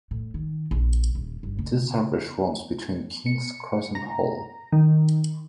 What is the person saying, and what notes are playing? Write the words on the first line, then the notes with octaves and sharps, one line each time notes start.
This service runs between King's Cross and Hull.
A2
D#3
A#1
D#1
G1
C#3
C#7
A#5
D#3